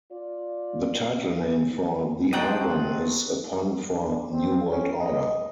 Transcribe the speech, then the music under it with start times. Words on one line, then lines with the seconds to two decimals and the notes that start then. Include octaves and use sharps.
The title name for the album is a pun for "New World Order".
0.11 F4 D5
2.33 F#3 G#3 C4 D#5 F#5 G5 A5
3.92 D4
4.31 C4
4.70 C#4
4.99 D#5